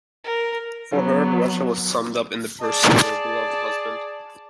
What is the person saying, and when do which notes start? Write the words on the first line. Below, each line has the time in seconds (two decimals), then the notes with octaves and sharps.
For her, Russia was summed up in the person of her beloved husband.
0.24 A#4
0.92 F#3 B3
2.61 G#4 D5 A5